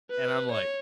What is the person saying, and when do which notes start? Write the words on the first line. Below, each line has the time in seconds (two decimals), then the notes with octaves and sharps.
and I'm like
0.11 B4
0.51 C#5